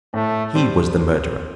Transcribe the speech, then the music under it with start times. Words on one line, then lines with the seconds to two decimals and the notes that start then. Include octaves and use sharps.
HE was the murderer!
0.14 A2 A3
0.55 G3 C4